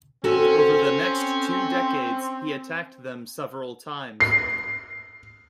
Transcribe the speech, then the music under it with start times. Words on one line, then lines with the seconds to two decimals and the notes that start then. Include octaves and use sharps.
Over the next two decades, he attacked them several times.
0.24 C4 C#4 F#4 A4
4.20 C7